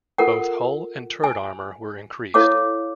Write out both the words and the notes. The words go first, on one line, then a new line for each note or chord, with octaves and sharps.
Both hull and turret armor were increased.
F4 A4 A#4 F#5
G#5
E4 A4 C#5 F5 D6